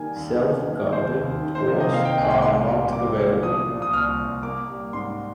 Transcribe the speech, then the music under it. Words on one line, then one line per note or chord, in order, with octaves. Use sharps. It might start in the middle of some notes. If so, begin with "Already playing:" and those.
Self-guided tours are not available.
Already playing: D#3 G3 A#3 G#5
D#2
A#3
D#3
D#2 C5
D#2
D#3
C5
C3 C5
D#5
A#3 F5
G5
C2 G#5
C6
A#3 C6
G3
A#2 D6
A#2
F3 D#6
A#2
D#6
C2 F6
C2
A#3 D6
G3
G#2 C6